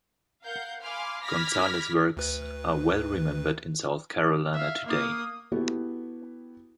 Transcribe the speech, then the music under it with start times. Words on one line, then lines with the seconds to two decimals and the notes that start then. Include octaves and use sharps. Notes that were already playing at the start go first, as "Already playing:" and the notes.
Gonzales' works are well remembered in South Carolina today.
0.44 A#4 F5 F#5 G6
0.82 F5 G#5 B5 C6 D6 F6
1.23 B5 D6 F6 G#6 A#6 B6
2.17 D2 B4
4.53 E5 F5
4.87 A#3 D#6
5.52 B3 E4 F#4 G4 A4 B4